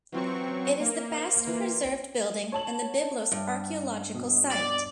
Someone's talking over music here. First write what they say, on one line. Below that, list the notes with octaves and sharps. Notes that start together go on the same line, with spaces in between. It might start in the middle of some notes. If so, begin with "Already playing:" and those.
It is the best preserved building in the Byblos archaeological site.
E3 F#3 C4 F4 C#6
C#4
A#3
C5
E3 F4 B4
C#5 A5 F#7
G2
B2
D5